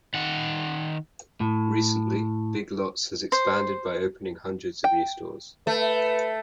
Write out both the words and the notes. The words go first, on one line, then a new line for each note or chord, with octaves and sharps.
Recently, Big Lots has expanded by opening hundreds of new stores.
D#3 F#5
A2
C5
G5
A3 B4